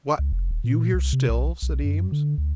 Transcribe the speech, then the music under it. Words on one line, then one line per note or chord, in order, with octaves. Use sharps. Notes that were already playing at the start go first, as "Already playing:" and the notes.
"What! you here still?" said Eames.
C#2
F1
D#1
A#2
C2
C3
B1
B1
F#2
D3
D2